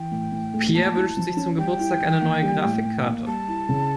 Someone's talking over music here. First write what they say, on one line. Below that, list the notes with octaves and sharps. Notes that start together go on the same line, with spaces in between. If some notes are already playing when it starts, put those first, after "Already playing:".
Peer wünscht sich zum Geburtstag eine neue Grafikkarte.
Already playing: E3 G5
A2
A2
A3
A#3 A5
E4
F3
C#4
G3 G5
E4
E3
A#3
G3
A2
A2
A#3
G3 A5
E4
C#3